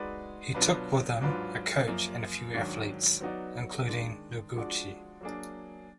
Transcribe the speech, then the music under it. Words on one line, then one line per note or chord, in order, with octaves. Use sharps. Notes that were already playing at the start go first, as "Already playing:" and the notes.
He took with him a coach and a few athletes, including Noguchi.
Already playing: G#3 D#4 F#4 B4 D5
B2 F#3 D4 F4 B4
G#2 F#3 D4 F4 B4
F#2 F3 A#3
G#2 D#3 F#3 D4
F#3 B3 D#4 F#4 D5
D#3 G#3 D4
F3 G#3 D4 F#4 D5
F#3 A#3 D4 G#4